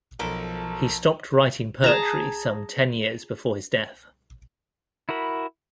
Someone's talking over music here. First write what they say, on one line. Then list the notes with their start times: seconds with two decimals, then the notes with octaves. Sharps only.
He stopped writing poetry some ten years before his death.
0.19 B1 F3 A4 A#4 B5
1.84 G#4 A5 A#5
5.09 E4 F#4 A#4 B5